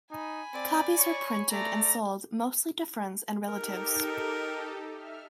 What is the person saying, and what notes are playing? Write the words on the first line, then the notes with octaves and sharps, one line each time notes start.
Copies were printed and sold mostly to friends and relatives.
D#4 G#5 B5
C4 D5
C#5 C#6
A3 D5 A#5
D#4 G4 A4 A#4
E5 F6